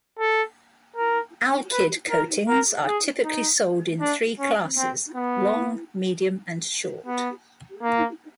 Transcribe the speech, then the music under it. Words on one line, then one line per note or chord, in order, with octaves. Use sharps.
Alkyd coatings are typically sold in three classes: long, medium, and short.
A4
A#4
B4
A#4
A#4
G#4
D#4
D4
C#4
C4
B3
B3
A#3